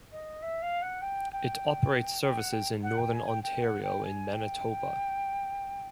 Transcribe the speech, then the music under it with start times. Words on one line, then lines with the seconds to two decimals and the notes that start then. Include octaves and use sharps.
It operates services in northern Ontario and Manitoba.
0.12 D#5
0.42 E5
0.62 F5
0.82 F#5
1.01 G5
1.32 G5
2.22 G5
2.38 F#5
2.52 G5
2.83 F#5
2.97 G5
3.12 G#5
3.27 G5
3.43 G5
3.63 F#5
3.83 G5
4.03 G#5
4.33 G5